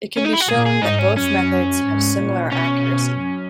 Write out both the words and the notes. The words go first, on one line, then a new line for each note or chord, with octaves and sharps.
It can be shown that both methods have similar accuracy.
C#4
D#4
E4
F#4
A#2 G#4
G#4
G#2 D#4
C#4
F#2 C#4
G#2
A#2
B2 C#4
F#2